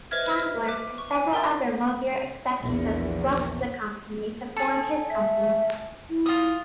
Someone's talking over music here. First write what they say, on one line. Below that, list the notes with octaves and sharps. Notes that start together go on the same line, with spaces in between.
Chandler and several other Lozier executives left the company to form his company.
B4 C5 D#5 E5 F6 G#6
F6 A#6
D6 F#6 B6
C#6
G#5
A#4 E5 G5 C6 A6
A#1 E2
G#4 A4
E5
E4
F4 D#6